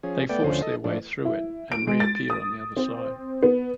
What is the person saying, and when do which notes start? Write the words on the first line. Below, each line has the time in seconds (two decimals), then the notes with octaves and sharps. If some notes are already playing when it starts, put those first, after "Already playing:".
They force their way through it and reappear on the other side.
0.03 F3 C#4 G#4
0.29 A3 B3 D5 G5
0.44 D2 D3 F3 C#4 C5
0.62 A4 D#5
0.84 A2 F3 D4
1.25 E4
1.72 D7
1.87 G#3
2.00 A6
2.30 D#6
2.77 C4
3.43 B3